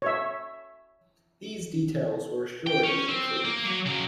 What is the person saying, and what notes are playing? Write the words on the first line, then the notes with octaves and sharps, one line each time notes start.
These details were assuredly the truth.
C#5 E5
G5
C#4
C4
A#3
F#3
C#3 F#3